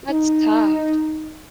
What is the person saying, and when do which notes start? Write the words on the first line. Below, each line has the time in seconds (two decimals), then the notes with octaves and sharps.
that's tough.
0.10 D#4